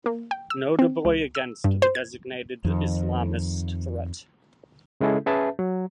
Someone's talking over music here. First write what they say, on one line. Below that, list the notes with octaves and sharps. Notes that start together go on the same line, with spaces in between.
Notably against the designated islamist threat.
A#3
G5
E6
C4
C#2
E6
G2
C5
G#6
F2 D#3
C#3 G#3 C#4 E4 G#4 A4
C#4 G#4 B4 E5 A5
F#3